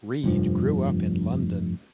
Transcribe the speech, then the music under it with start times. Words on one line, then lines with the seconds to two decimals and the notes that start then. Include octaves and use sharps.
Reid grew up in London.
0.24 F1 G2 F3